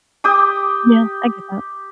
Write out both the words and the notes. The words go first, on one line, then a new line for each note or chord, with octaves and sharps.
Yeah, I get that.
G4 G5 D6 D#6